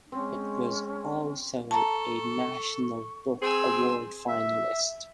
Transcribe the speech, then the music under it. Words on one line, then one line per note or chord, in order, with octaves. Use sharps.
It was also a National Book Award finalist.
G#3 C4 C#4
A4 A5 A#5 C#6
C4 G#4 G#5 C6 E6
E5